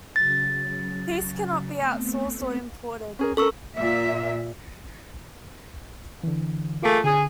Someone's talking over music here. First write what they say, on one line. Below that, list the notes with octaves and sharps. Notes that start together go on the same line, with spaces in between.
Peace cannot be outsourced or imported.
C#3 F#3 A6
A3 B3 C4
C#4 G#4 A#4
C#4 A4 A#4 C#6 E6
A#2 E5
D3 E3
A3 A#3 F4 G#4
D3 G#4